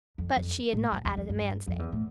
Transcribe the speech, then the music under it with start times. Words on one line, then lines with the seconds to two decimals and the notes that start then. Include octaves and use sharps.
But she had not added the man's name.
0.18 F2
0.37 F2
0.73 A2
0.92 G2
1.05 E2
1.17 F2
1.29 G2
1.67 F2
1.79 E2
1.92 A2